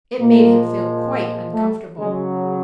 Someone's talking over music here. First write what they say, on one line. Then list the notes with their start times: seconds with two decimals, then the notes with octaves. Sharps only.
It made him feel quite uncomfortable.
0.19 A#2 F3 G#3 A#3
1.53 A3
1.98 C#3 F#3 G#3